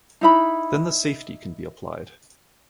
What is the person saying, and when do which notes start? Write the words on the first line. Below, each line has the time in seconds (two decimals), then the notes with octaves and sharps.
Then the safety can be applied.
0.21 D#4 E4 B5